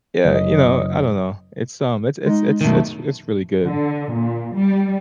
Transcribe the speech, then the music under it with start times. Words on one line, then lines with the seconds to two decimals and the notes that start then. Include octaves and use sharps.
yeah, you know, I don't know It's um it's it's it's it's it's really good.
0.25 F#1 C#5 D#5
2.26 G#3 D#4
2.61 B1 D#3 A3
3.64 D3
4.12 A#2
4.54 G3